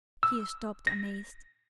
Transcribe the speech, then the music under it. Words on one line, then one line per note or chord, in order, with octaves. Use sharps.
He stopped amazed.
E6
A#6